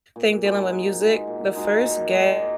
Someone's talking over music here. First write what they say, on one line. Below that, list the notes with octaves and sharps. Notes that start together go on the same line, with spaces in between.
Think dealing with music. The first gadget
A#2
G#3 D#4 F#4
A#2
G#3 D#4 F#4
A#2
G#3 D#4 F#4
A#2
G#3 D#4 F#4
A#3